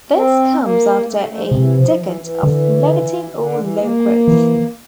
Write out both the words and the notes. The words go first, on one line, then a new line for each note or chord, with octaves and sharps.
This comes after a decade of negative or low growth.
C4
A#3
A3
A3
A3
F3
C3 E3
F3
E3
E3
D3 E3
D3
E3
A#3
E3